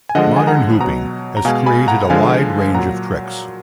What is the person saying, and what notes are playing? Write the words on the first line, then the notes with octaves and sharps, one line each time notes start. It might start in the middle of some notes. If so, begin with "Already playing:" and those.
Modern hooping has created a wide range of tricks.
G#5
D3 F3 G#3 D#5 F#5
G#5
F#5 A#5
B2 F#3 F#5 A#5
A#5
B2 G#3 F5 G#5
G#5 B5
F#5 A#5
D3 F3 G#3 F5 G#5
A#2 F#3 F#5 A#5